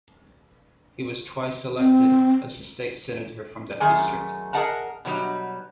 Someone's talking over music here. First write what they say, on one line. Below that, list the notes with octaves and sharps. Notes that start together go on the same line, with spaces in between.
He was twice elected as a state senator from that district.
C4
F#2 D#3 A3 G#4 G#5
G#4 A#4 D#5 F#5 A5 A#5
B2 F#3 G3 D#4